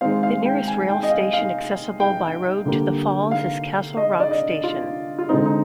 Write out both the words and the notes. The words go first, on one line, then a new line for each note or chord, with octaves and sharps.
The nearest rail station accessible by road to the falls is Castle Rock station.
D#3 G#3 C4 F5
F5
G5
G#5
G5
D#5
F5
F5
G5
D3 G3 A#3
F5
D#5
D5
D#5
F4
F4
D3 G#3 C4 D#4
D#4